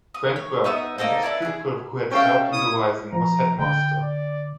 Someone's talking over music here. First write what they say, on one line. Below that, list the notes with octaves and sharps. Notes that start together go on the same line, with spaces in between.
Frank Burke, an ex-pupil who had served in the Rising, was headmaster.
D#6
C#5
B3 D#4 E5 D#6
A#3 D#4 A4 C5
E4 B4 D5
E4 G#4
C#4 A4 C#5 E5 F5 G5
E4 D#6
F3 A#5
D3 G5
D5